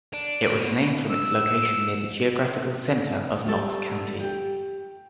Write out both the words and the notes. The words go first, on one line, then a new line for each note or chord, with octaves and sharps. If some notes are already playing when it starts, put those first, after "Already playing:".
It was named from its location near the geographical center of Knox County.
D4
B2
E6
G3 A3 A4
G4 G5